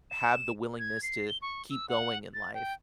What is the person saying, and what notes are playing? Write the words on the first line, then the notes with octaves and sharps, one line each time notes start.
have the willingness to keep going in life.
E7
G#6
C7
G7
C#6
E6
F#5
A6
G5